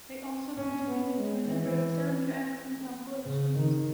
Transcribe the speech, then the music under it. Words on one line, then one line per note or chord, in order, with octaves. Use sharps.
They also contributed to a number of soundtracks and compilations.
C#4
B3
G#3
E3
C#3
D#3